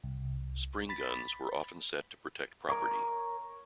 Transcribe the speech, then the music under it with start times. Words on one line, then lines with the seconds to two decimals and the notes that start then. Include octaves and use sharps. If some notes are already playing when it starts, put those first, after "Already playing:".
Spring-guns were often set to protect property.
0.04 C2
0.89 B5 A6 B6
2.69 A#4 C#5